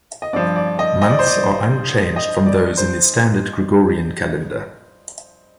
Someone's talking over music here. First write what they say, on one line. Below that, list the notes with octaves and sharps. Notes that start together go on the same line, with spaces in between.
Months are unchanged from those in the standard Gregorian calendar.
D#5
G2 F3 D5
D5
D#5
D#5
D5
C5
D5
D#5
D5
C5